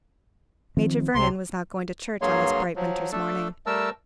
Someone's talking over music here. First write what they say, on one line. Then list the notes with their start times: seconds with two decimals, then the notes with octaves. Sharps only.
Major Vernon was not going to church on this bright winter's morning.
0.77 D#3 F3 C4
1.15 C2 C3 C6
2.22 G2 F#3 A#3 G#4 C#5 C6
2.76 F3 F#3
3.12 A3 D4 A4
3.66 G3 A3 A#4 A5 E6